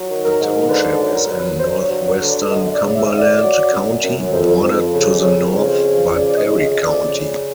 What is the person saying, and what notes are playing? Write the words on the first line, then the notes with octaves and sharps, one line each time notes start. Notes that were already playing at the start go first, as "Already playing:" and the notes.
The township is in northwestern Cumberland County, bordered to the north by Perry County.
Already playing: F#3
D#3
A#4
G#2
D3 B4
A4
F#3
A#4
F#3
B4
G2 C5
C#5
F#3
C#5
D3
D5
F#2 D#5
D5
C#3
E5
F#2
D5
F#3
F#2
F#2
F2
F2
C#3
F2 C#5
C#3
C5
F3
C#3 D5
D5
D#5
F2
D#5
F2
D5
C#3